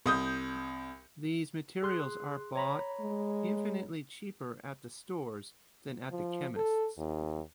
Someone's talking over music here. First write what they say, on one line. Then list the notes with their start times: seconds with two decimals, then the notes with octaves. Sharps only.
These materials are bought infinitely cheaper at the stores, than at the chemists.
0.06 C2 D#6 G6
1.82 G#4 C6 F#6
2.56 C#5 A#5 B5
3.00 G#3
6.11 F3
6.56 A4
6.98 D#2